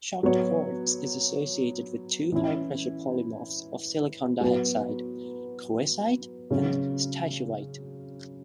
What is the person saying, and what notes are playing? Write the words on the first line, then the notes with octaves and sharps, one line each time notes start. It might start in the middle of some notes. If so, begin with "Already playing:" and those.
Shocked quartz is associated with two high-pressure polymorphs of silicon dioxide: coesite and stishovite.
F#3 B3 F#4 C#5
E3 C#4 E4
F#3 B3 F#4 B4
C#3 F#3 C#4